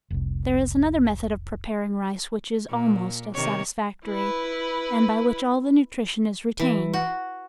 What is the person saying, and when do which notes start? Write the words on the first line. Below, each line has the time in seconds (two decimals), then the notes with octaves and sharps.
There is another method of preparing rice which is almost as satisfactory, and by which all the nutrition is retained.
0.10 F1 C2
2.68 A#2
3.34 C3 D#3 C#5
4.06 E4 B4
6.59 E3
6.93 F#4